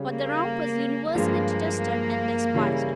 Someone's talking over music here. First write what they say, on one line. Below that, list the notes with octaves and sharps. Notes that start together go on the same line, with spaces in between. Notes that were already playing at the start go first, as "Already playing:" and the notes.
But the Rump was universally detested and despised.
Already playing: C#3 G3 C#4
A#3
G2 F3 G#3 A#3
C#3 E3 G3 C#4 E4